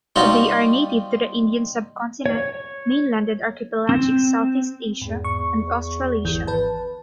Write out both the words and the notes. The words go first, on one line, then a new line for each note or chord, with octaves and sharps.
They are native to the Indian subcontinent, mainland and archipelagic Southeast Asia, and Australasia.
G3 C4 D#4 F4 F#4
C#5
C4
E2 G#2
C#6
G#1 E3 G6
B4 A5